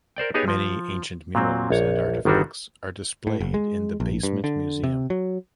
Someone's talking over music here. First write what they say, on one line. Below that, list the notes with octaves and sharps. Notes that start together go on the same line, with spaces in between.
Many ancient murals and artefacts are displayed in the basement Museum.
A#4 C5 D5 G5
B3 D#4 G4 G#4 C#5 G#5
F3
A#2 F#3 C4
A#1 C#5
G1 D#3 G3 D4 F#4
A2
F#1
G#3
A#1
G2
D3
C3
F#3